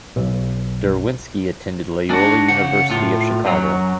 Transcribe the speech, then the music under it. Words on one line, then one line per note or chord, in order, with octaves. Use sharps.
Derwinski attended Loyola University of Chicago.
B1
D4 F#4
C#3 F#5
A2 F4
F#2 F#3